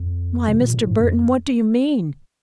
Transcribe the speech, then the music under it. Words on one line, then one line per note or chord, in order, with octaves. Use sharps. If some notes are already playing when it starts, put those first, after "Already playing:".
Why, Mr. Burton, what do you mean?
Already playing: F2
C3
A#2
A2
G2
F2